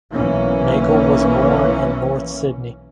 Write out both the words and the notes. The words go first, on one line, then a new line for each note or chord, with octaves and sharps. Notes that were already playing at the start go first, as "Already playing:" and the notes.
Nagle was born in North Sydney.
B1 E3 A#3 C#4